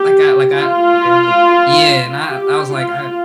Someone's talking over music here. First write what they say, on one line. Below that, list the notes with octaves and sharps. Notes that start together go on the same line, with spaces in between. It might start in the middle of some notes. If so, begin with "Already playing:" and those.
like I like I barely Yeah, and I I was, like, I
Already playing: G4
F4
G4
F4